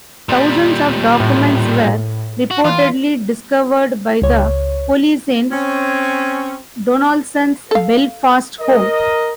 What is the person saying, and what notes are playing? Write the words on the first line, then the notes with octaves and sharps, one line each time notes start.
Thousands of documents were reportedly discovered by the police in Donaldson's Belfast home.
A#2 G3
A2
F#4
E3 F4
C#2 C#5
C4 C#4 G#5
A4 F5
A#4 D#5